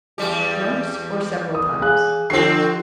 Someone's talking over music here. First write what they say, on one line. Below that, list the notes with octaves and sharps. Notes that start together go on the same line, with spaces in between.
"Once or several times?"
E2 G3 G4
D#6
G#4 F5 F#6
D3 F3 C4 G4 C7